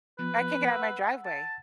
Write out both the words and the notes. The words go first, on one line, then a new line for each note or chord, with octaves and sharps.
but I can't get out of my driveway.
F3 B3 B4
F#5 E6
A5